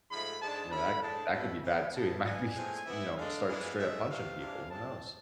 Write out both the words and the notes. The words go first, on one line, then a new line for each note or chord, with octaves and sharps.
You know that that could be bad too, you might be s you know, start straight up punching people, who knows?
G#2 F3 A3 B5
G#2 G#3 D4 A5
D3 F3 A3 E4 B5
A2 G#3 D4 A5
B2 A3 E4 B5
E3 B3 E4 B5
B2 B3 E4 A5
E3 B3 D4 G#5
A2 F3 G#3 C4
E3 B3 E4 E5
D3 G#3 D4 F5
E3 G#3 B3 D4
A2 G#3 D4 E5
C3 E3 A3 F5
C3 E3 G#3 D4
C3 G#3 C4 A5